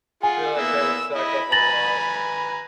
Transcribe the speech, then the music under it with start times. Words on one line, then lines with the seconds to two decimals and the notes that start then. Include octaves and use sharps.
Feel like that would stack up a lot.
0.23 F4 G#4 F#5 G#5
0.58 A#3 B3 E4 E6
1.15 E4 D#5 B5
1.52 B4 G#5 A#5 A6 A#6 F#7